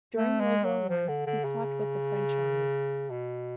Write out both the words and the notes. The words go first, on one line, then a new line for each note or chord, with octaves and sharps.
During World War One, he fought with the French army.
A3
G#3
F#3
F3
D3
D3
C#3
B2